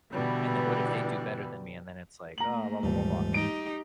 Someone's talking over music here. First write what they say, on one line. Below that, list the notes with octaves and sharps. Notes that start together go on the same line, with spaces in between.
And then what if they do better than me?" And then it's like, "Oh, blah, blah, blah, blah."
B2 D3 E3 G3 B3
A3 A#3 A#5 F#7
D#1 G#2 E3 G#3
D#4 G4 D7